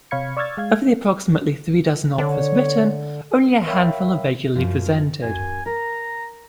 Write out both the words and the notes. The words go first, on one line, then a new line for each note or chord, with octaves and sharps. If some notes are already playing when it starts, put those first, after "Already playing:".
Of the approximately three dozen operas written, only a handful are regularly presented.
C3 C#5 F5 B5 G#6 C#7
D5 C#6 E6 F6 G#6 A6
G#3 F5 G#6
D3 C#5
A#4 C#5 E5 F5 G5 B5
F#2 F3
F#2 G#5
A#4 A#5